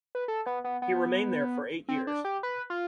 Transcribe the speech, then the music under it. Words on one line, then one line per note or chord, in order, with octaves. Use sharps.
He remained there for eight years.
B4
A4
B3
B3
B3
C4
D4
G4
B4
F4